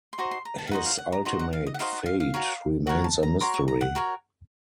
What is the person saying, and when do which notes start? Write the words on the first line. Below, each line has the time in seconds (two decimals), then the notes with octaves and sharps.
His ultimate fate remains a mystery.
0.13 C6
0.18 D#4 F#4 C5 D#5 A#5
0.31 C6
0.45 A#5
0.58 A5
0.67 F5
0.71 D#4 F#4 C5 D#5 F#5
0.86 F5
0.98 F#5
1.12 A#5
1.25 D#4 F#4 C5 D#5 A#5
1.39 F#5
1.53 F5
1.67 D#5
1.74 F#5
1.79 D#4 F#4 C5 D#5 F5
1.93 F#5
2.06 F5
2.20 F5
2.34 F#4 A#4 C#5
2.87 F#4 A#4 C#5 F#5
3.04 A5
3.23 A#5
3.41 F#4 A#4 C#5 C6
3.54 C#6
3.68 A#5
3.81 F#5
3.95 F#4 A#4 C#5